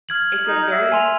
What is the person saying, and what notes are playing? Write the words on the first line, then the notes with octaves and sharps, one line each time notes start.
it's a very
F6 G#6 F#7
D#4
E5
G#5 C6 F7